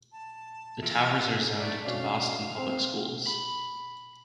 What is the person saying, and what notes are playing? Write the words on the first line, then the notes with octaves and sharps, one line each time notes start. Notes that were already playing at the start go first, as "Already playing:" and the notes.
The towers are zoned to Boston Public Schools.
A5
E3 F4 A#4 E5 A6
A3 D5
B2 C#4 D4 F5
C4
B5